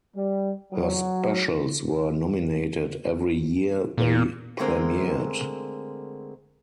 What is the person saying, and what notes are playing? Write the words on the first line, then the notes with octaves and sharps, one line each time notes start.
Her specials were nominated every year they premiered.
G3
F#3
A#2
D3 G#3 A3 C4 A#4